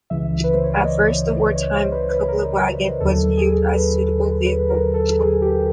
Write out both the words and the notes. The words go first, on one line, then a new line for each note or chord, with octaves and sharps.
At first, the wartime Kubelwagen was viewed as a suitable vehicle.
C#2 C#3 E3 E5
B4
C5
C#5
D5
D#5
C#5
C5
B4
B4
A#4
D#2 D3 F#3 A4
G#4
B4
B4
A#4
A4
G#4
G4